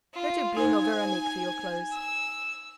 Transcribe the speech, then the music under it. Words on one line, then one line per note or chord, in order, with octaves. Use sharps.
Go to Blin or Veronique for your clothes.
F4
D#4 C5 G#5
E6